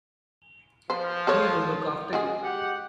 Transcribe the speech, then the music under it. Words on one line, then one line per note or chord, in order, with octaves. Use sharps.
He will look after you.
F3 B4 C5
G#4 A4 C#5
G#3 F#4 G#4
G4 F#5